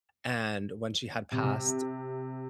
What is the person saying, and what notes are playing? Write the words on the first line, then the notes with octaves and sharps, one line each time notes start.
and when she had passed,
C3